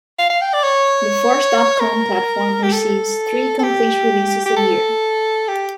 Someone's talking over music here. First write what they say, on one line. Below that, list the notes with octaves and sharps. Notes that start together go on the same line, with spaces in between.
The Force dot com platform receives three complete releases a year.
F5
F5
G5
D5
C#5
A#4
G4
A4
A4
G4
G4
A4
G4